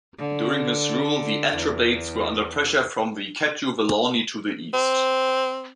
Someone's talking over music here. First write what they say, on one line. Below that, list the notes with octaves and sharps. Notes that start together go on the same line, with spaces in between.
During his rule, the Atrebates were under pressure from the Catuvellauni to the east.
D3
E2
C4